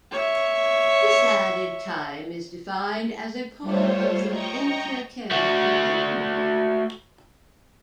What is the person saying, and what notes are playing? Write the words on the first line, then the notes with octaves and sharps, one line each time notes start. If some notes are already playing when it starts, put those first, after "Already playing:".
This added time is defined as a part of the intercharacter interval.
C#5 E5
G3 A3 F4 C5 C#5
D#5 G5 A#5 C#6
A3 F#4